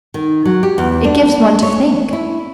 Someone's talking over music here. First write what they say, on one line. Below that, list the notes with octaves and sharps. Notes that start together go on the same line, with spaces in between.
It gives one to think.
D#3
F#3
G4
E2
D4
C#5
E4